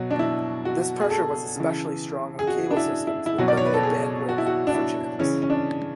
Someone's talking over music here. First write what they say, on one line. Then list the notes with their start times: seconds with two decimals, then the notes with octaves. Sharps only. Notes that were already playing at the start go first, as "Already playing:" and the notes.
This pressure was especially strong on cable systems with limited bandwidth for channels.
Already playing: B2 F#3 F#4
0.11 D4
0.19 E4
0.65 F#4
1.01 G#4
1.10 A4
1.56 C#3 E3
2.39 G#4
2.47 F#4
2.71 D4
2.77 E4
3.07 E4
3.26 E4
3.38 B2 F#3 F#4
3.48 D5
3.57 C#5
3.66 B4
3.74 A4
3.83 G#4
4.29 F#4
4.38 E4
4.47 F#4
4.67 D4
4.75 E4
5.19 C#3 E3 C#4
5.42 C#4
5.50 D4